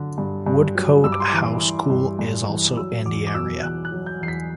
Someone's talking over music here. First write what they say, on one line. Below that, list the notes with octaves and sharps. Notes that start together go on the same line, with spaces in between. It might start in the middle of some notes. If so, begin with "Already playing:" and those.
Woodcote House School is also in the area.
Already playing: D3 F#3
G2
G2
F#3
G2 E6
D6
C6
E3 D6
E3
G2
G2
E3
F#3 E6
E2 D6
D6
B2 E6
E2 F#6
F#6
F#3
G6
E2 C7
B6